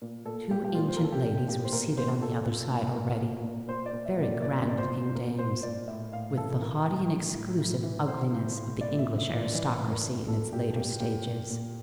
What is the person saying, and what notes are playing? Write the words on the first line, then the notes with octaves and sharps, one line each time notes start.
Two ancient ladies were seated on the other side already--very grand-looking dames, with the haughty and exclusive ugliness of the English aristocracy in its later stages.
A#2
A#2 A4
A#2 G4
G4
A#2 F4
C5
A#4
A#2
A4
G4
A#2
A#2 G4
C5
A#2 A#4
A#2 C5
A#2 A4
A#2
A#2
A#2 A#4
A#2
A#2
A#2 C5
D5
A#2
E5
A#2
D5
A#2 D5
A#2 D5
C5
A#2
A#2 A#4
A#2 C5
A#2 D5
A2 E5
A2 F5
E3 A4
E3 A#4
A2
A2
A2
A2
E3
E3 C5
A2
A2
A2 D5
E5
A2
E5
E3
D5
E3 D5
A2
A#4
A2
A#2 A4
A#2 G4
A#2 G4
A#2 G4
A#2
A#2